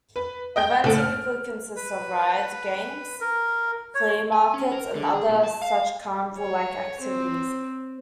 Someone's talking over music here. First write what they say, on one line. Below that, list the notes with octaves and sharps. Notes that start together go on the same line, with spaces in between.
The event typically consists of rides, games, flea market and other such carnival-like activities.
B4
D#5 G5 G6
F#1 A2 A4 D7
F6
B4
A#4
C#5
G#5
C#4
A#4
D3
G#4
A#2
A5
F5
C#5
C4